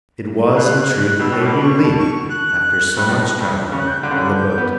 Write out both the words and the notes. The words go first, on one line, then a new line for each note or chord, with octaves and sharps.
It was in truth a relief after so much traveling in the boat.
B2 F#6
F#6
F#6
B2 E6
A2
B2 D6
B5
C#6
A5
C#6
F#6
G2
A2
G2
C#3
F#6
G6
D3 F#6
C#3
D3 F#6
G6
B3